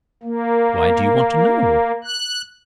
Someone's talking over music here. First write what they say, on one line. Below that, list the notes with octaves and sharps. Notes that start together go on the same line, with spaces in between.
"Why do you want to know?"
A#3
F#6